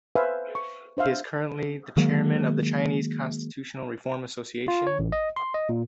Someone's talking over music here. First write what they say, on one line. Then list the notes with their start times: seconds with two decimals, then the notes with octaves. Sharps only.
He is currently the chairman of the Chinese Constitutional Reform Association.
0.15 B4 C5 E5 F5 G#5
0.55 C#6
0.97 D4 C5 E5 F5
1.97 D#3 F#3 G#3 A#3
4.68 F4
4.87 C#5
4.99 A1
5.12 D#5
5.36 C6
5.54 D#5
5.69 A#2